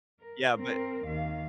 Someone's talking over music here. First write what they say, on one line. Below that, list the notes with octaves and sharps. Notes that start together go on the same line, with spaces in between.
yeah, but
A#4
C4 A#4
D#2 F5